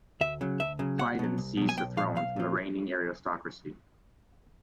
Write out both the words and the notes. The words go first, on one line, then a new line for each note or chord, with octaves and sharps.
Pheidon seized the throne from the reigning aristocracy.
D2 E5
C#3 F#3
D2 E5
C#3 F#3
C2 F#5
B2 F#3
C2
B2 F#3
G#5
B1 G5
A#2 F3 F5
B1 F5
A#2 F3